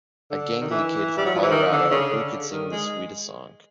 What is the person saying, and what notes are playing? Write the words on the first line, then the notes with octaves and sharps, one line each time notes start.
A gangly kid from Colorado, who could sing the sweetest song...
D3
D#3
E3
G3
F#3
F3
E3
D#3
D3
C#3
D3
D3
D#3
G#3